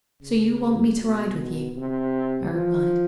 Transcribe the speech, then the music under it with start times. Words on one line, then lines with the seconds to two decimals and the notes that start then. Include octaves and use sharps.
"So you want me to ride with you?" I replied.
0.22 C#3
1.00 B2
1.77 C3
2.54 F3